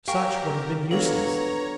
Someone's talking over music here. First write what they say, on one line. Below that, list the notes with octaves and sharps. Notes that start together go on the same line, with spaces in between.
Such would have been useless.
G4 A#4 F5 G5 G#5 C#6
B3 D4 F4 A4 C#5 A#5 F#7